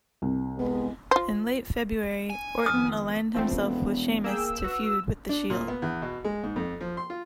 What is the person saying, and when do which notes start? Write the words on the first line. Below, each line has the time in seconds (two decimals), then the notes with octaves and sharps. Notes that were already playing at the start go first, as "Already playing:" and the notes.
In late February, Orton aligned himself with Sheamus to feud with the Shield.
0.22 C2
0.58 G#3 B3
1.11 F4 C5
2.30 G#5
2.66 F2 D#3 B3 D#6 F6
3.34 E1 F3 A3 B3 C4
4.24 A#3 G#4 G5 E6
4.64 F#4 B4
5.29 D4
5.50 A#2
5.68 B3
5.82 E2
6.02 B2
6.25 G#3
6.43 G#2
6.56 F2
6.81 F3
6.97 C6
7.10 F4